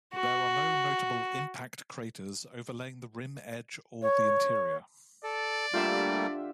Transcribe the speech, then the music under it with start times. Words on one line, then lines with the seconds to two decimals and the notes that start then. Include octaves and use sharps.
There are no notable impact craters overlaying the rim edge or the interior.
0.14 F#4
4.02 C#5
5.24 A4 D5
5.74 D3 G3 A3 A#3 D4 F4 G4 E5